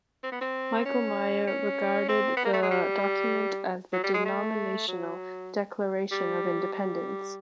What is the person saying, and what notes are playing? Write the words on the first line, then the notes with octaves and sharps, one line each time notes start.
Michael Meyer regarded the document as the denominational declaration of independence.
C4
B3
C4
C#4
C#4
C4
B3
A#3
A3
G#3
G3
F#3
G3
G#3
A3
F#3
G3
G3